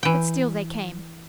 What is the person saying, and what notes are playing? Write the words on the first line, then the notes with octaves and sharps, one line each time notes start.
But still they came.
E3 G5